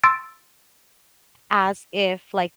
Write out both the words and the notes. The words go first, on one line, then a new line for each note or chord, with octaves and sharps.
as if, like,
C6 E6 A6 D7